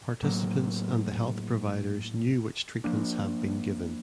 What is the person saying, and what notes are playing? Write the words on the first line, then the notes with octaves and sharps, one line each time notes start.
Participants and the health providers knew which treatments have been given.
A2 F#3 A#3
F3 A#3 D4